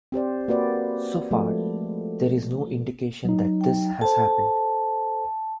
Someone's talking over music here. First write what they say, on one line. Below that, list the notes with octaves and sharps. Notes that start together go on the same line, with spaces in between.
So far, there is no indication that this has happened.
C4 G4 C5 D5
A#3 F#4 B4 D5
F3 G#3 A3
F#3 D#4
G5
A4 C5 A5